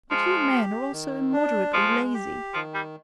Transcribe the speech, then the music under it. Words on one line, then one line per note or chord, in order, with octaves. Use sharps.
But you men are all so immoderately lazy!
F3 G#3
G4
D#3
D4
F3 G#3
G4
D#3 F3
G3